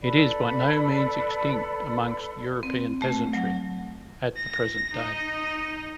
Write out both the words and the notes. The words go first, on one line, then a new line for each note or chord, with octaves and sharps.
It is by no means extinct among European peasantry at the present day.
A4 B4 D5 B5
C4
A3
F#3
A#6
D#4 D#5